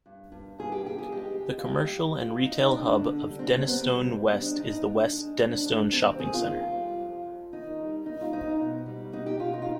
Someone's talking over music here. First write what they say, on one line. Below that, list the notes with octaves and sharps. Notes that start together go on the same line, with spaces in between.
The commercial and retail hub of Denistone West is the West Denistone Shopping Centre.
G2
G2
G2 G#4
G4
G2 G4
G#4
G#3 G4
G#3
F4
G#3 G4
G#3
G#3 F4
G#3 D#4
G#3 D4
D3
G3
C4
C3 C4
B3
G3 C4
C3
G#3 D4
G#3 D#4
G#3 D4
G#3
G#2 D4
G3 D4
D#3 C4
C4
G#2 G#4
F4
F2
G3
F2
F2
D#3 D#4
G3
G3 D#4
F4
G#2 D#4
B2
G3
B2 D#4
G4
B2 F4
D#4
F4